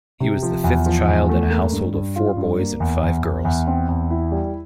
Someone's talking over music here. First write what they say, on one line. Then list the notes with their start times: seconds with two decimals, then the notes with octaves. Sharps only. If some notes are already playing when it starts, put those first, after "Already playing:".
He was the fifth child in a household of four boys and five girls.
0.20 C3
0.42 F3
0.64 E2
0.86 F3
1.07 E2
1.29 A3
1.50 A#3
1.72 G2
1.93 G2
2.16 F4
2.37 G2
2.59 A#3
2.80 E2
3.03 E2
3.23 E2
3.45 E2
3.67 C4
3.88 E2
4.11 E4
4.31 G3